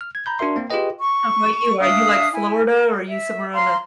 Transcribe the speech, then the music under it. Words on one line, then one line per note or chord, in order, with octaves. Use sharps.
How 'bout you? Are you, like, Florida, or are you somewhere on the
F6
G#6
A#5 B5 G6
D4 F#4 A#4 E5 C6
A#3 C4
F4 G4 G#4 B4 D#5 G5
C#6
D4 E5 F5 D#6
E4 G#5
A#4
E5
F5 A#5 C6